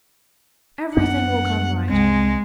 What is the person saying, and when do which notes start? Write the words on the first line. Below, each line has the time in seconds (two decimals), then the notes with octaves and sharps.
Everything will come right.
0.97 F#2 B3 D4 F#5
1.89 C2 G#3 C4